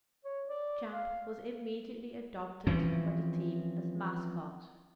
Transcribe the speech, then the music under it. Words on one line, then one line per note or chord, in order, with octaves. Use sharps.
Champ was immediately adopted by the team as mascot.
C#5
D5
F5
E3 F3 C4 C#4